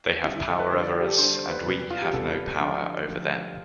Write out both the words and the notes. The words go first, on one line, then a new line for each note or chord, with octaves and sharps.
They have power over us, and we have no power over them.
D3 G3 C4 E4
E4
A4
B4
D3 G3 D4 C5
D5
G4
A4
D3 G3 D4 C5
C5
C5
B4
E2 C3 G3 B3 B4
F4
G4
E2 C3 G3 B3 A4
D3 F3 A3 D4
D3 F3 A3 D4